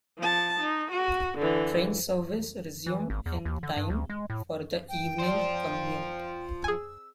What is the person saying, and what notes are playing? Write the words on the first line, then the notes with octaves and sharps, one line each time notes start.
Train service resumed in time for the evening commute.
F3 A5
D#4
F#4
D3 E3
E3
G#1
E2
D#2
D3
G2
D2
G#3
A2
G5
F3 C4 C5 D5
G#4 G#5 E6